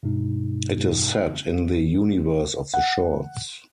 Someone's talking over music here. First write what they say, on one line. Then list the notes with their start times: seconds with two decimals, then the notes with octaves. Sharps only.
It is set in the universe of the shorts.
0.03 G2 B2 G#3 D#4
2.74 F#5